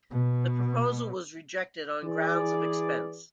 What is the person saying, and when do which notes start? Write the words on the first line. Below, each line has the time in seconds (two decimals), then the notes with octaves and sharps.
The proposal was rejected on grounds of expense.
0.11 B2
2.03 E3 G#4 D5